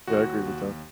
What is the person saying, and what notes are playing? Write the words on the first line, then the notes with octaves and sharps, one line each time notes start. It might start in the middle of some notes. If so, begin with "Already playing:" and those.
Yeah, I agree with that.
D#2 F#4
D#2